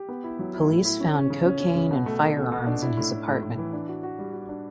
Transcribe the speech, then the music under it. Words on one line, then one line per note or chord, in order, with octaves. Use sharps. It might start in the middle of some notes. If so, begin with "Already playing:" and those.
Police found cocaine and firearms in his apartment.
Already playing: G4
B3
E4
F#3
E4
A2
E4
C#4
C#4
C#3
C#4
C#4
C#3
B2
A3
A3
B2
B2
D4
E4
A2
A2
A2
A2
E3
D4
F#4
F#4
G3
F#4
D4